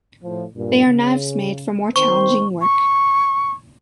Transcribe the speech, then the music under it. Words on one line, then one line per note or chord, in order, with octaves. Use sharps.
They are knives made for more challenging work.
A2 F3
G2 A#2
C#3
D#3 C4 C5 C#6
C#6